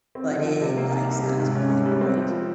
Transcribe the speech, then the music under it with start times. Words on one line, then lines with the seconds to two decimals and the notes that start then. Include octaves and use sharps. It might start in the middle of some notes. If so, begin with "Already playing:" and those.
but it, like, stuck to me, and quick
0.15 C4
0.30 F3
0.46 C2
0.61 C3
0.77 A#3
0.93 D#3
1.09 C2
1.23 C3
1.39 G#2
1.55 C#4
1.70 G#2
1.86 G3
2.01 C4
2.16 F3